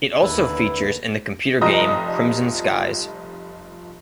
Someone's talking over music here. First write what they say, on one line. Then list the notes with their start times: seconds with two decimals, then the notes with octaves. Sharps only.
It also features in the computer game "Crimson Skies".
0.22 D#2 D3 E4 B4
1.61 F1 F3 G3 D#5 A#5 D#6